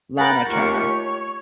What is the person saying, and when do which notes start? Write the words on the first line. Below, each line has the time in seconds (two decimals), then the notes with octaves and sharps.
Lana Turner.
0.17 A#4 F#5 G5 B5 F#6 A6
0.49 D#2 A3 F4 G4 A#4 C#6
0.84 C#5